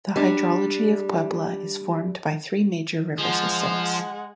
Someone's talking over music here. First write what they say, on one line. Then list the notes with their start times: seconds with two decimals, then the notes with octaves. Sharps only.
The hydrology of Puebla is formed by three major river systems.
0.16 G3 D4
3.18 F3 G#3 F#5